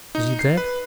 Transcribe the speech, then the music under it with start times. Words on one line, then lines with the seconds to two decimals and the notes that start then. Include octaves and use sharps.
Is he dead?'
0.15 D#4
0.39 C7
0.57 B4